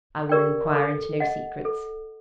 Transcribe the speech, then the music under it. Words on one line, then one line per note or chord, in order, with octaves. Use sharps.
"I will enquire into no secrets."
G4 A#4 D5 G5
A4
D#5 F#5
A4